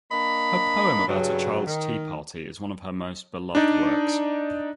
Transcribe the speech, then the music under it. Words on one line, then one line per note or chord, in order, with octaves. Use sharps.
Her poem about a child's tea party is one of her most beloved works.
A#3 D4 D#5 B5
G2 C#3 F#3
D#3
D4 D#4 D5